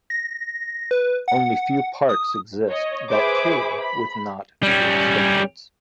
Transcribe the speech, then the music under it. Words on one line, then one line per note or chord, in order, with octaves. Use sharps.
Only few parks exist that too with not good standards.
A#6
B4
F#5
D#6
C#5 D#5
G#4 B4 C5 E5 B5 D6
B5
G3 C#4